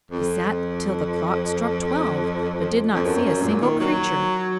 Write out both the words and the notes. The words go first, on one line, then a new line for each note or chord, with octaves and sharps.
He sat till the clock struck twelve, but did not see a single creature.
F2
F2
F#2
F#2
A#2
D#3
F#3